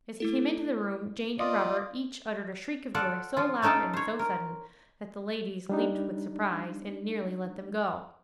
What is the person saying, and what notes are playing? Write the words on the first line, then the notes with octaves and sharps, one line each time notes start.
As he came into the room Jane and Robert each uttered a shriek of joy so loud and so sudden that the ladies leaped with surprise, and nearly let them go.
A3 E4 A4
F4 D5 D#5
F4 A4 D5 F#5
F3 F4
C#4 D#4 A4 G5 A5
C5 C#5
A#4
G3 D4 D#4